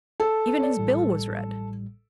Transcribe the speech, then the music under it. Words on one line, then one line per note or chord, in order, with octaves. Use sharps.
Even his bill was red.
A4
C#5 D5
A1 A2 G3